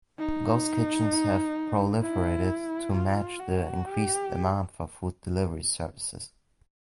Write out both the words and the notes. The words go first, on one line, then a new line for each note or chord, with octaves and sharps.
Ghost kitchens have proliferated to match the increased demand for food delivery services.
D#4
E4
F4
F#4
G4